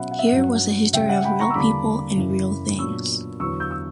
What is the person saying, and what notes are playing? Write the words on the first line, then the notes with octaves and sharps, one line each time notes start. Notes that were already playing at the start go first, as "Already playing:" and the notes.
Here was a history of real people and real things.
Already playing: B2 F#3 C#4 E5 F#5 B5
F#5
E5
F#5
G2 F#3 C#4
C#3 G3 C#4 E5 G5
F#5
G5 B5
A#5 C#6
E6
E2 D3 G3 A#3 D4 B5 D6
F#2 C#3 E3
A#2 F#3 B3 D4 C#6 E6
E2 D3 F#3 C#6 E6
E6 G6
E6